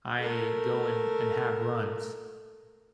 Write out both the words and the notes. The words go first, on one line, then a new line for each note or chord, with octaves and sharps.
I go and and have runs,
A3 A#4